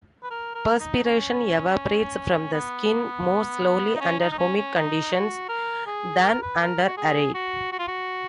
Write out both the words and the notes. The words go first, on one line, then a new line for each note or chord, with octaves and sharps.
Perspiration evaporates from the skin more slowly under humid conditions than under arid.
B4
A#4
A#4
D#4
C#4
B3
D#4
C#4
D#4
D#4
C#4
C#4
D#4
F#4
A#4
G#4
A#4
B4
A#4
F#4
G#4
F#4
F#4
F4
F#4